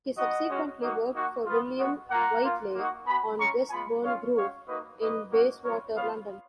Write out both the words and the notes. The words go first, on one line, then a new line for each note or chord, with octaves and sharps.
He subsequently worked for William Whiteley on Westbourne Grove in Bayswater, London.
B3 D#4 F#4 D#5 F#5
G#3 C#4 F#4
A#3 D#4 F#4
A#3 D#4 F#4
B3 F4
G#3 B3 F#4
A#3 F4 F#5 A#5
A#3 F4
A#3 D#4 F#4
B3 F#4 G#5 B5
G#3 C#4 F4 A#5 C#6
G#3 B3 F4 G#5 B5
G#3 C#4 F4 C#5 F5
G#3 C#4 F#4 C#5 F5
A#3 D#4 F#4 B4 D#5
A#3 D#4 F#4 B4 D#5
A#3 C#4 F#4
B3 F4 A#4 C#5
B3 F4 C#5 F5